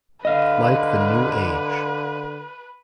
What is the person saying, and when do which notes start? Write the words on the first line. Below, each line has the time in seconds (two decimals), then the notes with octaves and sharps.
Like the New Age.
0.25 D3 B4 D#5 F5